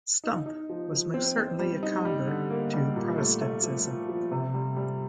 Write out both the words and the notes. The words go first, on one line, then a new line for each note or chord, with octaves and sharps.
Stumpp was most certainly a convert to Protestantism.
D#4
D#4
F3
F3
C4
C4
G3
D#4
G3
D3
A#3
G3
A#2
A3
A3
F3
F3
F3
C3
G3
G3